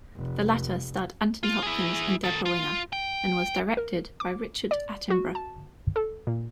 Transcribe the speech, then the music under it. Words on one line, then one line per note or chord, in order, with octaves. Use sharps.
The latter starred Anthony Hopkins and Debra Winger and was directed by Richard Attenborough.
F1
F4
E4 G#4
D#3 A4
F4
G5
A#4
D6
D5
F#4
A5
A4
A#2